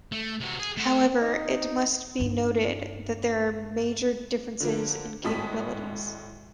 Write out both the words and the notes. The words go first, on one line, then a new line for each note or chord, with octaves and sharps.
However it must be noted that there are major differences in capabilities.
A3
C3 F#4
G#4
A3 F#5
D#4
G2 D#4
D3 F3 A#3
G#1 A2 G#3 A5 D#6 B6